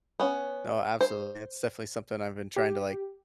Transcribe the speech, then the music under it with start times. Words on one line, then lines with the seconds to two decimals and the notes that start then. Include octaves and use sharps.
No, absolutely, it's definitely something I've been trying to, like,
0.20 B3 C#4
1.01 C5
2.56 G4